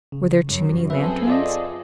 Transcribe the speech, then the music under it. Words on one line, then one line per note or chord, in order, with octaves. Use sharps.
Were there too many lanterns?
C#3
F#2
C4 G#4 A4 B4 E5
F4 D5 D#5